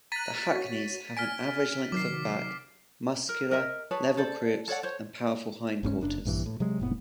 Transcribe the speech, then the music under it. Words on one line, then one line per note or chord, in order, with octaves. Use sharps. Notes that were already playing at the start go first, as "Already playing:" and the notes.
The Hackneys have an average length of back, muscular, level croups, and powerful hindquarters.
A#5 F#6 A6 B6 D#7
F#4 C#5
G#5 F6 B6 D7
C3 D#3 F#3 D6 C7
A#4
A#4 D#5 E5
G#4 B4 C#5 A5
A4 C5 D5
A4 C#5 D5 F#5
C5 C#5
G1 G#2 C4 C#4
F#1 D4
A#1 G2 E3
A2
C3 F#3 G#3
F1 A2 B3